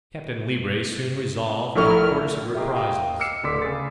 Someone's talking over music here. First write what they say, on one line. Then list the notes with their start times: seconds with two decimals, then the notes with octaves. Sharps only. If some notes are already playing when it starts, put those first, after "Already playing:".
Captain Leebrace soon resolved on a course of reprisals.
1.76 A#1 A3 E4 A#4 C#6 F6
2.55 E4 F4 G4 G#4 A#4 D#5
2.75 D#5 F5 G5
3.19 D6 E6 F6 C7 C#7 E7
3.43 D1 D3 C6 D6 E6 B6
3.62 C#3 G#4 A6